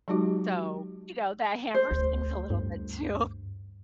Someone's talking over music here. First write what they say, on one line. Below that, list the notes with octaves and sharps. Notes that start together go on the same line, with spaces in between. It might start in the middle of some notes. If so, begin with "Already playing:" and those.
so, you know, that hampers things a little bit too.
F#3 G#3 D#4 F#4 G4
C5
D2
G2